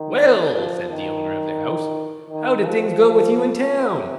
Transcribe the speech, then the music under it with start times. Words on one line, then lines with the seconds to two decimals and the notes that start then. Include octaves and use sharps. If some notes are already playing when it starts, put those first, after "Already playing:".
'Well', said the owner of the house, 'how did things go with you in town?'
Already playing: D#3
0.56 F3
0.91 D#3
2.30 D#3
2.65 F3
3.69 C3